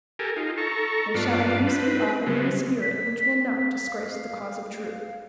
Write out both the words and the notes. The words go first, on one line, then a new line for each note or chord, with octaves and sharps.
They shall at least be offered in a spirit which will not disgrace the cause of truth.
G4 A4 A#4 G#5
D#4 F4
A4 A#5 C#6
G2 B3 F4 D5 A5
C4 B4
C#3 F#3 G3 B3 C4
B6
F5